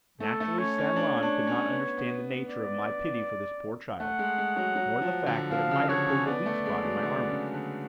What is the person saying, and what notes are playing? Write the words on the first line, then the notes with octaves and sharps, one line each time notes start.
Naturally San-Lan could not understand the nature of my pity for this poor child, nor the fact that it might have proved a weak spot in my armor.
A3 A4
A3
C#4 C#5
C#4
D4
D4
C#4
B3
B3
D5
A3 F#5
G#3
G#3
F#3
F#3
F3
D3
F3 F5
C#3
D3 C#5
C#4
B3 D5
A3
G#3
F#3
D3
C#3
D3